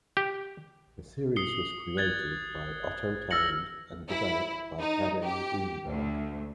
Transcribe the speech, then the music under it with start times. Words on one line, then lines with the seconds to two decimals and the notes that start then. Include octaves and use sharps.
The series was created by Otto Tang and developed by Carin Greenberg.
0.17 G4
1.36 D#6 C7 C#7 G7
1.97 F#6 G#6 A6 G7
3.31 E6 F6 A6 A#6 C#7 F#7
4.08 E4
4.79 D#4
5.23 G4
5.87 D2